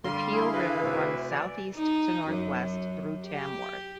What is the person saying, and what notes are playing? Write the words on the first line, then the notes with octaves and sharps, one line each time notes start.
The Peel River runs southeast to northwest through Tamworth.
D3 G3 F5 C6
E4 G#4 F5
G2 B4
D2 C3 C#5
E3 D5
D#4
F#2
G4